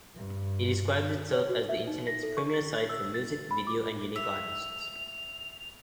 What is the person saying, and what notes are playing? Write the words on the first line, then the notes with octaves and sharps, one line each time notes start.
It describes itself as "the Internet's premier site for music, video and unique artists".
G2
C#5
F#4
E5
D#4
A#6
A4
C#6
A6
E6
A6
B5
D6
E5 F7